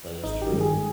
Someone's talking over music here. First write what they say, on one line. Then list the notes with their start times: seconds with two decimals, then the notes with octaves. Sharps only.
That is true.
0.23 G#1 D#4
0.42 G4
0.51 G2 D#3 G#3
0.61 G#4